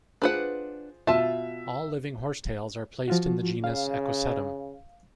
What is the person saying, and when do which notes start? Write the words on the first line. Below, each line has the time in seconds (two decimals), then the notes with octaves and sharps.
All living horsetails are placed in the genus "Equisetum".
0.22 D4 F4 G#4 B4 C5 F#5
1.07 B2 F4 E5 A5
3.08 F3 F4 F#4
3.64 C#3 F5